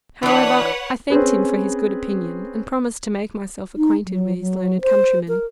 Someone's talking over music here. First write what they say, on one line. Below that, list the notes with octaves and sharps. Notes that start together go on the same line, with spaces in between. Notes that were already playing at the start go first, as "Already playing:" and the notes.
However, I thanked him for his good opinion, and promised to make myself acquainted with his learned countryman.
E3 D4 B4 C#5 F#5
C4 C#4 G#4 B4
D#4
F#3
F#3
C5
A#4